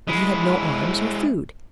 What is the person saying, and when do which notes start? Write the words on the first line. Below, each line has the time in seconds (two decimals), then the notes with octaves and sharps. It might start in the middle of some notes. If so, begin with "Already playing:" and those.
But he had no arms or food.
0.07 G#3 E4